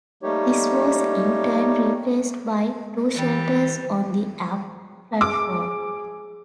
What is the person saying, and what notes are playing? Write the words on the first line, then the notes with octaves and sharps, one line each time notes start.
This was in turn replaced by two shelters on the Up platform.
G3 A3 A#3 D#4 G4 C#5
E3 G3
G#4 D6